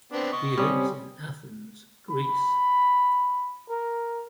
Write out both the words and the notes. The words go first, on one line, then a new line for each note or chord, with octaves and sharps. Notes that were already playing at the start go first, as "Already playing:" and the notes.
He lives in Athens, Greece.
B3 C4 D4
D#5 C#6
G3 C4 C#4 D#6
B5
A#4